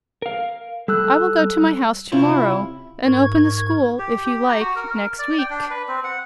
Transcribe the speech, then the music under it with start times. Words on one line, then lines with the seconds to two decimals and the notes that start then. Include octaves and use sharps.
"I will go to my house to-morrow, and open the school, if you like, next week."
0.22 A#4 F5
0.88 G3 A4 E6 F#6
2.12 C3 C#4 E4 F4
3.04 G#2 A#4 C#6 G#6
3.99 G4
4.25 G4
4.49 A#5
4.61 F#4
4.76 A#4
4.92 A#4
5.19 D5
5.38 G5
5.50 D4
5.71 B4
5.88 C4
6.04 F#5